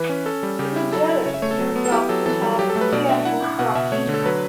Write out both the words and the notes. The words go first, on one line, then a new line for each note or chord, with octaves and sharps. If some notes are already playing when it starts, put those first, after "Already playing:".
To be jealous you've got to have a fearful crush.
Already playing: E3 B4
C#4
C#4 A4
G3
C#3 G4
E4
F#3 A4
E4
C#3 C#5
E5
A3 C#5
A4
F#3
B3
A4
E4 G4
F#3 A4
E3 A4
G3
F#3 G4
A4
A3
B4
B2 D5
D4 E5
E4 F#5
E4
B2 F#5
B2 E5
A3 C#5
D3
A4
F#3 B4